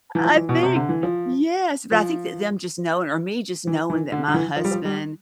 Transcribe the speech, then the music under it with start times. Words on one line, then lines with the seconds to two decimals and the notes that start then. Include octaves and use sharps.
I think yes. But I think that them just knowing or me just knowing that my husband
0.15 E3
0.25 F3
0.36 E3
0.49 B2
0.63 C3
0.76 D3
0.89 E3
1.03 F3
1.92 F3
3.67 E3
3.90 E3
4.12 D3
4.28 D3
4.34 E3
4.56 F3
4.65 G3
4.71 F3
4.85 G3